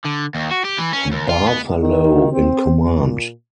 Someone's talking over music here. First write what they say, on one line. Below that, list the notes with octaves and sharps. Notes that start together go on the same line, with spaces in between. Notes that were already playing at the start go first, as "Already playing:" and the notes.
Barthalow in command.
D3
D#2
F#4
G4
E3
C#4
D#2
F4
B3
D#3
C4
A#2